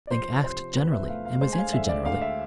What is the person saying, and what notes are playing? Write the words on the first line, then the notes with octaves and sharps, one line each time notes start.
Link asked generally, and was answered generally.
D5
F3 C5
C3 C5
E2 B4
E5
A3 F5
F5
G#3 C5
G#5
F5
D3 E5
D5
D2 F5
E5